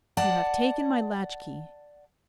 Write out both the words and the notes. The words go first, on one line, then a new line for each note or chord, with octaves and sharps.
'You have taken my latchkey.'
D5 F#5 A5